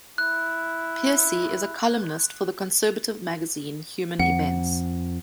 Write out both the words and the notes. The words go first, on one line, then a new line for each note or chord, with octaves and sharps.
Pearcey is a columnist for the conservative magazine "Human Events".
E4 F#6
F2 F#5